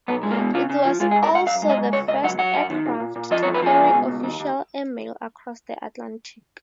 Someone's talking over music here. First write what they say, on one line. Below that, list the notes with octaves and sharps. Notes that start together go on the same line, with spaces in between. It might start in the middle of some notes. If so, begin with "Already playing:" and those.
It was also the first aircraft to carry official airmail across the Atlantic.
B1 B3
G#3
A#3
B2
C#3 F4
C#3
F3
G#3 F4
G#4
G#2
A#4
G#2 F#5
F#2 F5
G#3
D#5
F#2
C#2 C#5
C#2 D#5
F#3 F#5
F#3 F#5
F#2
D#3
A#2
A#2
A#2
F3 D#5
C#5
F2
B4
F3 G#4
C#2
B2
C#2
D#2
D#2